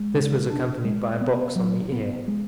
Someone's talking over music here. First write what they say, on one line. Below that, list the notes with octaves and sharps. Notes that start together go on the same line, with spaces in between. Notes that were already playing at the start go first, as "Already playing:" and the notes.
This was accompanied by a box on the ear.
Already playing: G#3
C#3
D4
G#3
B3
F#3
B3
G#3